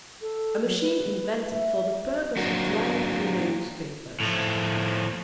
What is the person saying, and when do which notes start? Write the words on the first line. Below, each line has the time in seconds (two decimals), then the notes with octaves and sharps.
A machine invented for the purpose of flying through the newspapers.
0.21 A4
0.65 F#3
0.81 B4
1.52 E5
2.37 F#3 A#3 C4 D4 F#4
4.20 A2 F3